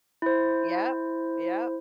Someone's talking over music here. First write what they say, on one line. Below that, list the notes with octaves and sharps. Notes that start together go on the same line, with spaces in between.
yup, yup.
E4 C5